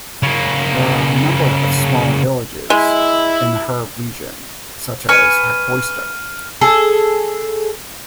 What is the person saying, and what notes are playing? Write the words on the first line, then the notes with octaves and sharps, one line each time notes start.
There are a number of smaller villages in the Herve region, such as Hacboister.
C#3 A#3
G#3 E4
B4 G#5 C#6 F6 D#7
G#4 A4